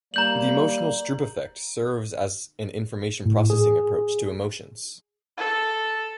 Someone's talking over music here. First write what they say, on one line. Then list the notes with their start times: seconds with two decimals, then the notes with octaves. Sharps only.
The emotional Stroop effect serves as an information processing approach to emotions.
0.14 G3 A#3 A#5 G6 F#7
3.26 A2
3.50 G#4
5.38 A4